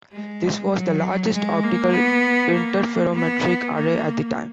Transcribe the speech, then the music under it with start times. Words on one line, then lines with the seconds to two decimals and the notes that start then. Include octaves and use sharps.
This was the largest optical interferometric array at the time.
0.12 G#3
0.73 F#3
1.34 G#3
1.64 A#3
1.94 B3
2.54 A#3
3.15 B3
3.75 A#3